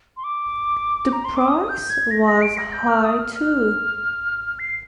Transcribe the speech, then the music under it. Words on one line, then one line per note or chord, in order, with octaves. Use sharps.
The price was high too.
C6
D6
A#5
C6
D6
D#6
G6
G#6
A#6
A#6
D7
A#6
G6
F6
D#6
F6
F6
C7